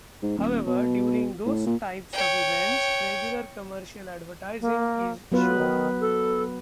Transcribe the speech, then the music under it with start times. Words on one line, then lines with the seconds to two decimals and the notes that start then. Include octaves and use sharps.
However, during those types of events, regular commercial advertising is shown.
0.22 G#2
0.38 D#1
0.67 B2
1.46 A2
1.66 A#2
2.13 C#5 G5
4.61 A#3
5.32 F#3 B3 F4 B4
5.57 D#3
6.01 A4